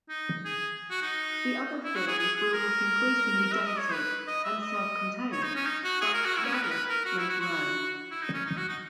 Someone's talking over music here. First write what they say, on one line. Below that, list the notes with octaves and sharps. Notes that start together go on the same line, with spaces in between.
The other films will look increasingly dated and self-contained, but "Lilith" may grow.
D#4
G#4
F#4
D#4
E4
F#4
G#4
G#4
G#4
A#4
E5
D#5
C#5
B4
D#5
E5
D#5
C#5
D#4
C#4
D#4
F#4
G#4
A#4
F#4
E4
C#4
B4
A#4
B4
A#4
F#4
E4
F#4
F#4
E4
D#4
C#4
D#4
F#4
D#4